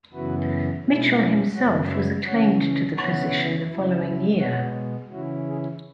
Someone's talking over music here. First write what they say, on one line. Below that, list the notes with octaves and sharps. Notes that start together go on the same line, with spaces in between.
Mitchell himself was acclaimed to the position the following year.
F#2 C#3 E3 B3 E4 F#4 B4
B2 G#3 C#4 E4
F#2 C#3 F#3 C#5 F#5
B4 E5
C#3 E3 C#4 C#5 F#5
C#3 E3 B3 E4 C#5 F#5
C#3 F#3 E4
B2 G#3 B3 C#5 F#5
C#3 E3 C#4 E4 F#4
G#4